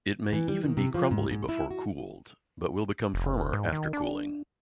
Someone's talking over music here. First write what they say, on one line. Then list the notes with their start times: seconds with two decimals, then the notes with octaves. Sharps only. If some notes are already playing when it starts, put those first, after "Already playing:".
It may even be crumbly before cooled, but will become firmer after cooling.
0.33 E3
0.48 G3
0.65 D#3
0.77 C3
0.94 F3
1.11 G#2
1.31 G#2
1.49 E4
1.71 F#4
3.14 F1
3.53 G#2
3.72 D#3
3.93 D4